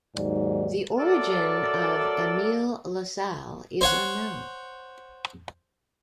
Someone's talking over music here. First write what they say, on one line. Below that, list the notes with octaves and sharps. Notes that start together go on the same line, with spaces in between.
The origin of Emil LaSalle is unknown.
D#2 G#2 F#3 D5
F#3 A3 A4 A#4 D5
C5 C#5 F#5